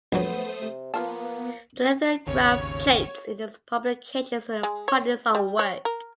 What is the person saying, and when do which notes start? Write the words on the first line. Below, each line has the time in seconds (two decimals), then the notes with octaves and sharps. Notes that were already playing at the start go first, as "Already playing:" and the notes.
The lithographed plates in his publications were in part his own work.
0.12 A#1 F#3 A3 B3 C5 D#6
0.61 C3
0.94 F3 A#3 B3 F4 A5
2.27 G#1 D#2 C#3 C#5
4.63 G#3
4.88 C#5
5.35 G3
5.59 C#5
5.85 A#4